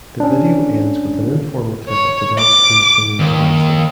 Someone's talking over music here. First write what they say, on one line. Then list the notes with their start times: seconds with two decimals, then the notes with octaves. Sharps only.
The video ends with an informal clip of the dance crew singing and dancing.
0.20 C#4 D4
1.89 C#5
2.39 D6
3.20 D#2